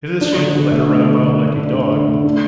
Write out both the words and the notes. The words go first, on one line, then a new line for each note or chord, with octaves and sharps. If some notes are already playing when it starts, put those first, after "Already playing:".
It is a shame to let her run about like a dog.
D4
D3
D3
A3
D4
D3
D3
A3
D4
D3
D3
A3
D4